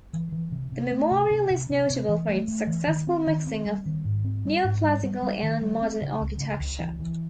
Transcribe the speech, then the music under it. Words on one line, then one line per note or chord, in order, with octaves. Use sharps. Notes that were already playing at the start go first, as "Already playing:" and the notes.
The memorial is notable for its successful mixing of Neoclassical and Modern architecture.
E3
E3
C3
C3
A3
C3
C3
C3
C3
C3
E3
A3
A3
E3
D#3
C4
D#3
C4
G3
D#3
G#2
C4
G3
G#2
G3
G3
G3
D#3
G3
C4
C#3
C#2
C#3
C#2
E3
E3